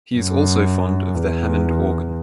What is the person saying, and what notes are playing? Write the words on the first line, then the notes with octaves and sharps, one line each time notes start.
He is also fond of the Hammond Organ.
F#2
E2